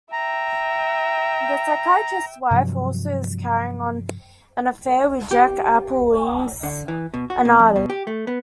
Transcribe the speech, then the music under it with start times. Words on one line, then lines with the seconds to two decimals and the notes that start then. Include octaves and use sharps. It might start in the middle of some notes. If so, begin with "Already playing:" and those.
The psychiatrist's wife also is carrying on an affair with Jac Applezweig, an artist.
0.12 E5 G5 A#5
2.51 G2 C3 F3 F#3
5.31 G4
6.63 D3
6.88 E3
7.14 B2
7.30 F#4
7.45 B2
7.59 F2
7.76 B2
7.90 G4
8.07 A3
8.27 B3